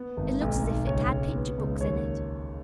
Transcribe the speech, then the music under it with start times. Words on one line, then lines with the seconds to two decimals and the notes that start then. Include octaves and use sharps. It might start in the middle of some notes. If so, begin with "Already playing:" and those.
"It looks as if it had picture-books in it."
Already playing: B3
0.17 G#1
0.41 B1
0.64 B1
0.87 C#2 C#5
1.11 C#2
1.35 B3
1.58 C#2
1.81 D#2 C#5